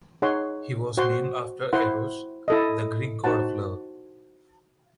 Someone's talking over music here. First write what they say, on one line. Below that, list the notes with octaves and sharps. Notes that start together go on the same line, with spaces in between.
He was named after Eros, the Greek god of love.
D#4 G#4 C#5 F#5 C6
F#4 C5 F#5 C6
E4 C5 F#5 C6
E4 A4 D#5
D#4 F#4 C5 F#5 A5